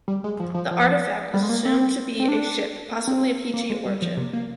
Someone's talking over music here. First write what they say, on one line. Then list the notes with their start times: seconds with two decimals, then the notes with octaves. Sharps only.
The Artifact is assumed to be a ship, possibly of Heechee origin.
0.08 G3
0.24 G#3
0.40 F3
0.54 F3
0.71 F3
1.34 G3
1.43 G#3
1.49 A#3
1.65 C4
2.20 C4
2.28 D4
3.08 C4
3.54 A#3
3.70 G#3
3.85 G3
4.02 F3
4.17 C3
4.33 A#3